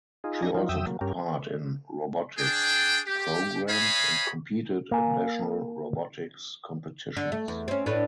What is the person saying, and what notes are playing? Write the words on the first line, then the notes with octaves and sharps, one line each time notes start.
She also took part in robotics programmes and competed at national robotics competitions.
D#4 F4 G#4
F3 D4 D#4 G#5 A#6
F3 F#3 D#4 F4
F2 F#3 E5 G5 D#6 E6
F#3 A#3
G2 C#4 G4 A#4
D4 G#4 G5
G4
C5 C#5 D#5 F5 G#5 B5
A#3 G#5
D3
A3
E2
C4 C#4
A2 D4 B4